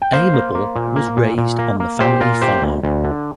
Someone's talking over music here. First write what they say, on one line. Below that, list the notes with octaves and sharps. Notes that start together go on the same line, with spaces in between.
Aimable was raised on the family farm.
G5
A#3 C5 F5
A#3
A#3
A#2
A#3
A#2
A#2
A#3
A#3
A#2 G4 C5
A#2 F4 A#4
A#3 G4 C5
D2
D2
D3